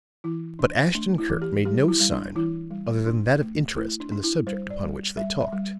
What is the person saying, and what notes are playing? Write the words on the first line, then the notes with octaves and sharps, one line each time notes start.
But Ashton-Kirk made no sign other than that of interest in the subject upon which they talked.
E3 E4
D4
A3 D4
E4
E3
G4
G3 G4
E4
G3
D4
E3 E4
G3
D4
A3
A3 E4
D4
D4
E4
G3 C5
D5
G3
G3 E5
E5
G3